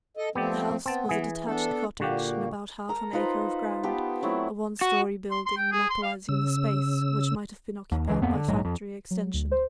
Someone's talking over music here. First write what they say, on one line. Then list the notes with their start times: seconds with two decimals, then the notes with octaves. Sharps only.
The "house" was a detached cottage in about half an acre of ground, a one-storey building, monopolising the space which might have been occupied by factory extension.
0.17 A4 D#5
0.35 F3 A3 B3 C4 G4 D5
0.86 B3 C4 A5
1.09 E3 G#4
1.46 B3 D4 A4
2.00 A#2 D3 A#3 F#4 G4
2.89 A4 A#4 A#5
3.13 D#4 F4 B4 C5
3.83 B3 G4 A4 B4
4.23 F#3 A3 C4 E4
4.81 F#4
5.31 C6
5.46 C6
5.58 G5
5.72 G#4
5.90 C6
6.03 F5
6.29 C#3 E6
7.92 D#2
8.08 C#2 E3 G#3
8.21 D1 F2 A#3 B3
8.34 D3
8.48 A#1 G#2 F#3 G#3
8.65 F2
9.11 F#3
9.34 D2
9.51 C5